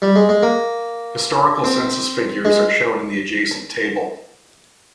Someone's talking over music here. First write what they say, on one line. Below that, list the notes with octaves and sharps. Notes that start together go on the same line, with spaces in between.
Historical census figures are shown in the adjacent table.
G3
G#3
G#3
A#3
C4
G#3